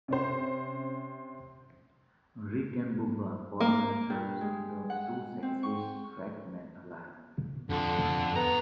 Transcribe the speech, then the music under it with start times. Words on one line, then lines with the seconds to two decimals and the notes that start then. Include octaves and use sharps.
Rick and Bubba call themselves The Two Sexiest Fat Men Alive.
0.08 C3 C#4 C5
3.61 A#3
4.10 G2
4.41 G#3
4.90 F#5
5.43 C4
5.63 C#6
7.70 F2 D3 F4
8.35 G2 B3 A#5